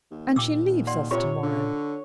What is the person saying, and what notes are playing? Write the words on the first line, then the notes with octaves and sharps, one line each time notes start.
And she leaves us to-morrow.
D#2
A#2 G5 D6 E6
D5 F#5 C6
C3 F4 C#5
D3